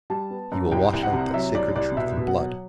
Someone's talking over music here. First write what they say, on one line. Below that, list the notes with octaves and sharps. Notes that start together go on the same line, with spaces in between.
He will wash out that sacred truth in blood.
G3 A5
B3
F#2
C2 G5
C2
F#5
C3
F#3 E5
C2 D5
C2 D5
B2 E5
B2
F#5
F#3